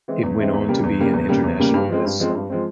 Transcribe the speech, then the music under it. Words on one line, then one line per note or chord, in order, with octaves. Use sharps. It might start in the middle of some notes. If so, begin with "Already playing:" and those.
It went on to be an international bestseller.
E3 G#3 C4
E2
E3 G#3 C4
E2
C#3 G3 A#3
E2
C#3 G3 A#3
E2
C#3 G3 A#3
E2
C#3 G3 A#3
G2
F3 G#3 C4
G2
F3 G#3 C4
G2
F3 G#3 C4